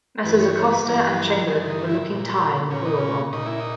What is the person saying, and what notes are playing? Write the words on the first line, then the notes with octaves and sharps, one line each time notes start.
Messrs. Acosta and Chamberlain were looking tired and oil-blobbed.
G2 E3 B4
C#5
C#5
B4
G2 E3 A#4
B4
A#4
G2 E3 G#4
D#4
E4
A#2
A#2 C#4
D#4
C#4
A#2 D#4
E4
D#4